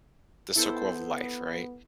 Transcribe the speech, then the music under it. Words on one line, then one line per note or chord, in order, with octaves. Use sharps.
the circle of life, right?
B3 E4 A4 C5